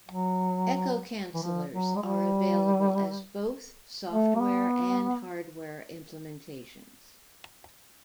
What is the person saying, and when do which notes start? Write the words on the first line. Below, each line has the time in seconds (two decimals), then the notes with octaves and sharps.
Echo cancelers are available as both software and hardware implementations.
0.08 F#3
1.34 E3
1.42 F3
1.73 F#3
1.96 G#3
2.02 G3
4.11 A3
4.36 A#3
4.40 B3